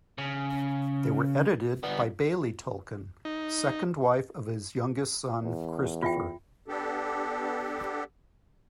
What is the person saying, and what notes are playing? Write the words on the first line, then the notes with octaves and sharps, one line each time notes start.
They were edited by Baillie Tolkien, second wife of his youngest son, Christopher.
C#3
G3 B3
D#4
E2
F4 E5 G5
B3 D4 G4 A4